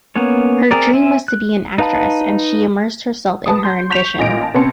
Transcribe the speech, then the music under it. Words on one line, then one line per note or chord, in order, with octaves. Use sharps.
Her dream was to be an actress and she immersed herself in her ambition.
A#3 B3 C#4 C#5
C4 G#4 A#4 D5
C4 E5 G#5
F#6
D#4 B4 F5 A5 B5
B4 A5 D#6
C6 G6
C#6 G6 B6 E7 F7
A1 A#2 D#4 A#6 D7
A5
C3 B3 C#4 A5 C6 C#7